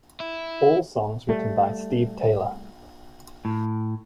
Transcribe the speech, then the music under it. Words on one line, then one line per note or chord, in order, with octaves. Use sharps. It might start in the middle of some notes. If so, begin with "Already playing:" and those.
All Songs Written by Steve Taylor.
E4
G3 A3
A2